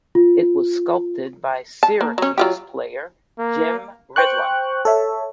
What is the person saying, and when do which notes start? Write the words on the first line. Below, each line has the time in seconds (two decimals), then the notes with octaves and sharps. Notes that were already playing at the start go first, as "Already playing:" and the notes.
It was sculpted by Syracuse player Jim Ridlon.
0.15 F4
1.83 A5
2.01 A#3
2.18 F#3 C#4
2.38 F#3 F4 G4
3.39 A#3
4.16 C5 G5 C#6 F#6
4.85 A4 C#5 E5